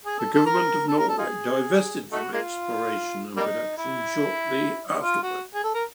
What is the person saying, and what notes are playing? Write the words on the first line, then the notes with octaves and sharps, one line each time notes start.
The government of Norway divested from exploration and production shortly afterward.
G#4
A4
A4
A#4
A4
A#4
A4
D#4 F4 G#4
A3 D#4 F#4
G#3 A#3 F4
G3 A#3 D#4
E4
F4
F#4
G#4
A4
A#4